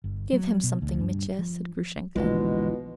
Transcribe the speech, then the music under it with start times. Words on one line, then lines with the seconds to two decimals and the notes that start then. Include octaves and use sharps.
"Give him something, Mitya," said Grushenka.
0.04 G1
0.33 F#3
0.63 B2
0.82 D2
1.00 G2
1.39 F3
2.16 A#1 D#2 B2 D3 E3 F3 G#3